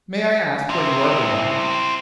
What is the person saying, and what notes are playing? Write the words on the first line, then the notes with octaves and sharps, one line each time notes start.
May I ask where you are going?'
C4 E4